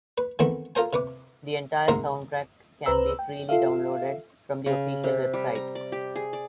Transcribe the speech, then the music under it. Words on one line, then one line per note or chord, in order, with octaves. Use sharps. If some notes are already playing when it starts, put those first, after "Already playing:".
The entire soundtrack can be freely downloaded from the official website.
B4
D#3 E3 A3 B3 C4 E4
F4 A4 A#4 C5 G#5
C3 B4 D6
G#2 C3 A#4 E5 A#5 C6
C#2 B4 C5 A#5 E6
G5
F4 A4 E5 F5
C#3
C3
G3
A#5
D5
G4
G#4
D5